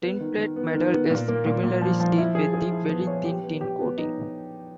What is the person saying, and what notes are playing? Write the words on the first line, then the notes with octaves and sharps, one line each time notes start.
Tinplate metal is primarily steel with a very thin tin coating.
B3
D#3
D#3
B3
D#3
B3
A#2
A#3
A#2
A#2
F3
F3
E4
G#4
G#4
E4
B3
C#5
G4
B3
G4
B3
D#4